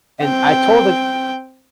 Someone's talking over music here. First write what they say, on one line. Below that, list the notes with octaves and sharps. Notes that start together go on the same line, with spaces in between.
and I told the
C4 G5